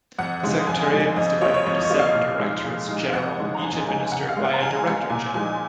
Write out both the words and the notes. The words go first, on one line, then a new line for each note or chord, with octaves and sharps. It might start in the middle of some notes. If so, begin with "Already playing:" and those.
The Secretariat is divided into seven directorates-general, each administered by a director-general.
F2 F#5
C#3 G#3 D#4
F2 G#5
C#3 G#3 D#4
F2 D#5
F3 A#3 F4 C#5
C#5
F2 D#5
D#5
F3 A#3 F4
F5
A#2
G#3 D#4
A#2
G#3 D#4
F5
F2 F#5
C#3 G#3 D#4
A#5
F2 G#5
C#3 G#3 D#4 G#5
C#3 F#5
F5
G#3 B3
F#5
A#5
C#3 G#5
G#3 B3
A#2 G#5
F3 G#3 D#4 G#5